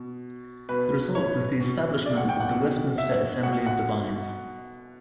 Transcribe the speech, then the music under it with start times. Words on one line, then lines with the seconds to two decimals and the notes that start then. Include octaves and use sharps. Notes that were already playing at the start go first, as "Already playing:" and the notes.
The result was the establishment of the Westminster Assembly of Divines.
Already playing: B2
0.69 B2 B4
1.15 C#5
1.60 B2
2.06 D5
2.17 F#5
2.29 G5
2.40 F#5
2.52 B2
2.98 E5
3.43 B2 F#5
3.66 F#5